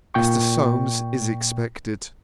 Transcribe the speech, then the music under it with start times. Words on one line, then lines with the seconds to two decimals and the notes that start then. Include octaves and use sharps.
Mr. Solmes is expected.
0.14 A#2 G5 C#6